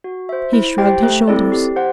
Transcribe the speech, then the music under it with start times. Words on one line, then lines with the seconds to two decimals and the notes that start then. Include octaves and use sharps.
He shrugged his shoulders.
0.04 F#4
0.29 C5 E5
0.53 E4
0.78 G4 C5 G5
1.03 A3
1.28 C4 E4 A4 D5
1.52 G4
1.76 C5 F#5